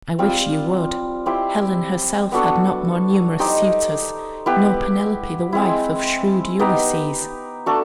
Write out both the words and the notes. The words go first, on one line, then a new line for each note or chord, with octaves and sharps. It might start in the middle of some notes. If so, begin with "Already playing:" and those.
I wish you would. Helen herself had not more numerous suitors, nor Penelope, the wife of shrewd Ulysses.
G3 C4 F4
C4 E4 G4 C5
B3 D4 F#4 A4
D#4 G4 C5
B3 E4 G4 B4
G#3 C4 E4
B3 D#4 G4 B4
A3 D4 F#4 A4